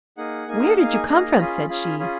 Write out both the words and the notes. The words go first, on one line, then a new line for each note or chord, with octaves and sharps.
"Where did you come from?" said she.
A#3 D#4 G#4 F#5
A#3 D#4 G#4 G#5
F#5
A#3 D#4 G#4 F5
G#5
A#3 D#4 G#4 A#5
C#4 F4 G#4 B5
C#4 F4 G#4 B5
C#4 F4 G#4 B5